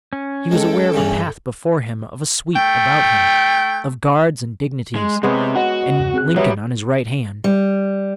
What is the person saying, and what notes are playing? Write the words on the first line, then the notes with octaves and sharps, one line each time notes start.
He was aware of a path before him, of a suite about him, of guards and dignities, and Lincoln on his right hand.
C#4
G#3 A4 G5
E2 G2 E3
A3 G5
G#3
C3 G#3 B3 C#5
F#4 D#5 F#5
E2 G2 C#3
C4 G#4 F#6
F#3 G3 B3 B4 C#5 E5
G3